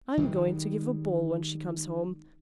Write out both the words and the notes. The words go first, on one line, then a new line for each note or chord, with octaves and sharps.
I am going to give a ball when she comes home.
D#3 G3 G#3